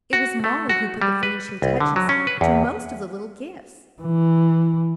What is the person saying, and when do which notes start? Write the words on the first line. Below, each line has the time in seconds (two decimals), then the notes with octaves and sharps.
It was Mollie who put the finishing touches to most of the little gifts.
0.13 F#4
0.44 A3
0.69 F#4
1.01 G3
1.23 B4
1.62 C2
1.80 D3
1.96 F#3
2.09 C#4
2.27 B4
2.41 E2
4.02 E3